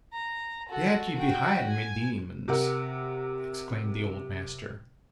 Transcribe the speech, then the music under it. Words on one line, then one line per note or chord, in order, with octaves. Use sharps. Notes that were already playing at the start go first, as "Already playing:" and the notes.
"Get ye behind me, demons," exclaimed the old master.
A#5
F#4 A4
F#4 G5
G#5
C3 A#4 F#5